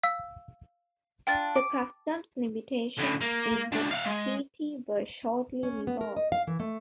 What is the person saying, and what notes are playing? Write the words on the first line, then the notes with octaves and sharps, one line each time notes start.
The customs limitations in the treaty were shortly reworked.
F5 E6
D4 F4 G5 A6
D6
A2 D3
A#3
C#2 D4
F5 F#5
G#3
C#4
B3
A#4
D#5
F5
E3
A3